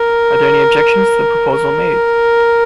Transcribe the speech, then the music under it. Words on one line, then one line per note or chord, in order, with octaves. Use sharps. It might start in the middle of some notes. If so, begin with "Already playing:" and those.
Are there any objections to the proposal made?
Already playing: A#4
A#4